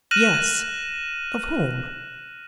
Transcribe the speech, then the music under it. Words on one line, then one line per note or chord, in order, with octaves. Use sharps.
"Yes, of whom?"
F6 F#6 A#6 D#7 E7 F#7